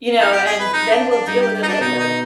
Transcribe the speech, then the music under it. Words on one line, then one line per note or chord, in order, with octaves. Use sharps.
you know, and then we'll deal with it later.
F2 D#4
G4
G#4
B4
D#4
D4
D4
G2 D#4
G4
G4
D#4
D4
B2 D#4
D#4